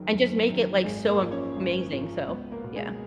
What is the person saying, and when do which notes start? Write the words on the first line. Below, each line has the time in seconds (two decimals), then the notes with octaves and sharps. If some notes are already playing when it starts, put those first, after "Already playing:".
And just make it, like, so amazing, so, yeah.
Already playing: F#1 F#2 D#3 F#3
0.13 F#1
0.48 F#2 D#3
0.84 G#1 G#3 G#4
1.08 A#3 A#4
1.20 G#2 F3
1.31 C#4 C#5
1.56 G#1
1.92 G#2 F3
2.28 C#2 B3 B4
2.52 A#3 A#4
2.64 B2
2.76 G#3 G#4